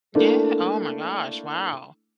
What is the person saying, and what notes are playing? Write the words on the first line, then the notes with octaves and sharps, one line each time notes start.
Yeah, oh my gosh, wow.
A3 A#3 D4 E4